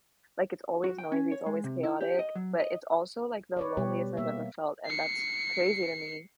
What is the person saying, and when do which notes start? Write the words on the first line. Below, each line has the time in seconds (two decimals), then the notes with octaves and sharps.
Like, it's always noisy, it's always chaotic, but it's also, like, the loneliest I've ever felt, and that's crazy to me
0.84 F#4
0.98 G5
1.12 C#4
1.32 C#5
1.46 G#3
1.64 C3
1.83 E4
2.01 G4
2.19 D#5
2.35 F#3
2.60 D#5
3.57 B4 C#5 D5
3.77 B2 G3 G4 C#5
4.17 A#3 E5
4.86 C7 C#7